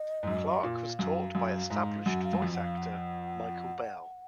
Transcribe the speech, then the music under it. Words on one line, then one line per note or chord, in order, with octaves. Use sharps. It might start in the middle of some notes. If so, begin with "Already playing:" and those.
Clarke was taught by established voice actor Michael Bell.
Already playing: D#5
G#2
F#2
A#2 F5
F#2
F#2
G#2
F#2 F#5
F5
F#2
F2
F#5
F5
F#5